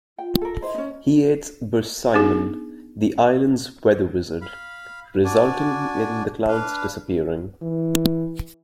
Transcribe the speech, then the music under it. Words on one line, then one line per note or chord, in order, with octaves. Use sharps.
He aids Bersimon, the island's weather wizard, resulting in the clouds disappearing.
F4 G5
A4 A#4
E4 C5 D#5
C#4 D#4
B3 D4 D#4 G#4
F5 B5
D4 F#4 D5 G#5
D4 B4 F5
E3